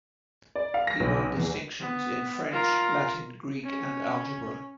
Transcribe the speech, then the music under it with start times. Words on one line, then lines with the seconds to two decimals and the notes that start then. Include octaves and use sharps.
He won distinctions in French, Latin, Greek and Algebra.
0.55 D5
0.74 F5
0.87 A#6
1.00 B1
1.37 E2
1.80 B3
2.51 F4 A#4
3.64 C#4